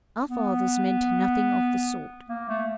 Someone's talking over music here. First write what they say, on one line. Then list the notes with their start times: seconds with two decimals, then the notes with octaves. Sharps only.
Our fathers meant nothing of the sort.
0.28 B3
2.29 A#3
2.49 A3